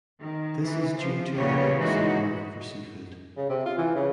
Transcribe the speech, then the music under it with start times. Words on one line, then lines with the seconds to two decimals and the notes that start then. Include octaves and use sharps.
This is due to an increase in demand for seafood.
0.20 D#3
0.62 E3
0.98 F3
1.36 C#3 G3 A#3 B3 C#5
1.78 E3 G#3 D#4 F#4
3.37 C#3
3.50 C3
3.65 F4
3.78 E3
3.95 C#3